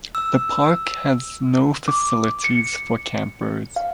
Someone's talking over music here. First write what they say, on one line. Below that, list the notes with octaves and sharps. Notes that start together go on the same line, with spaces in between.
The park has no facilities for campers.
E6
D6
C#7
F5